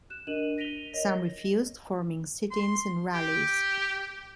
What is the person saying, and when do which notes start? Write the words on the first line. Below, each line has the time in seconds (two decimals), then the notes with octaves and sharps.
Some refused, forming sit-ins and rallies.
0.10 F#6 E7
0.27 D4 A#4 D#5 D#7 E7 F#7
0.58 A#6 B6 D7 D#7 F7 G7
0.93 A#4 C#5 D#5 A#6
2.51 C6
3.14 G4